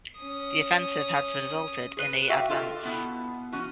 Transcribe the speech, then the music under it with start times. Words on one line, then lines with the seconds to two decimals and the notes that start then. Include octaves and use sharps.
The offensive had resulted in a advance.
0.19 C#4 D#6
1.97 G#4 B4
2.29 F#4 G4 E5 F5 G5
2.50 F4 A4 D#5
2.83 B2 B3 E4
3.52 F3 C#4 F#4